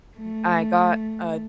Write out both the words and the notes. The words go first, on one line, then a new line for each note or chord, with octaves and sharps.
M I got a
A3